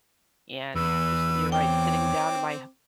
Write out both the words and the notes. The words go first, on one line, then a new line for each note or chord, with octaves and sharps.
And just you're right sitting down my
E2 B4 E6
C4 C#5 G5 D6